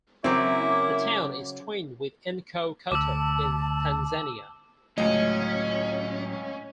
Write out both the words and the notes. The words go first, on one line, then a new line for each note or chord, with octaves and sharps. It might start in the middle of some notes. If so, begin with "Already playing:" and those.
The town is twinned with Nkokoto, in Tanzania.
C#3 F#3 A#3 C4 E4 D6
D2 A5 D6 E6
C#2 A2 F#3 A3 C#4 D#5